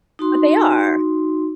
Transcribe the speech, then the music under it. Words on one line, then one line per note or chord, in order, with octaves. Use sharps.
But they are.
D#4 F#4 C6